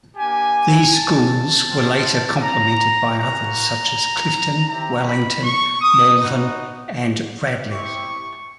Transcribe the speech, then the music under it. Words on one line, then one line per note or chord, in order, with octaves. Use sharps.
These schools were later complemented by others such as Clifton, Wellington, Malvern and Radley.
A#3 D4 G4 G#5
A5
C4 F4
A#5
A#3 C#4 F#4 A#5
C4 E4 G4 A#5
B5
C#6
D#6
B3 D#4 F#4
C4 E4 G4 C#6